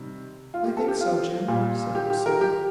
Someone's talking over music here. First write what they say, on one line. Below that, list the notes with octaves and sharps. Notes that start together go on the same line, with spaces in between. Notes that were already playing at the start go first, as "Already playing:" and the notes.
"I think so, Jim," said Lucille.
Already playing: C3 D#3 G3
F4
G4
A4
G4
F4
A#2 G3
G4
G4
A#4
G4